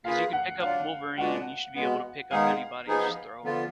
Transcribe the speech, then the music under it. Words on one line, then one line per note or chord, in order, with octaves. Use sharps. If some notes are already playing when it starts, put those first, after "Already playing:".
'cause you can pick up Wolverine, you should be able to pick up anybody and just throw 'em.
A#3 F4 G#4 B4 F5
F#5
F#3 D4 F4 F5
A#2 G#3 B3 D4 F#4 F#5
B2 G#3 B3
D#3 G#3 B3 D#4 G#4 F5
F3 B3 D#4 G#4
D3 F3 B3 F4